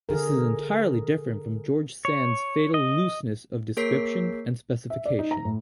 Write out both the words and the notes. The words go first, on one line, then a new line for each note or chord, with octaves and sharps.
This is entirely different from George Sand's fatal "looseness" of description and specification.
D3 G#4 A#4
C#5
D#5
A#3 G#4 A#4 C#5 B6 C7
E5
D5
D#4
A#5
A2